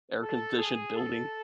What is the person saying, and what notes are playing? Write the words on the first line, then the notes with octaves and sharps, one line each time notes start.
air conditioned building.
A4
G#4
A4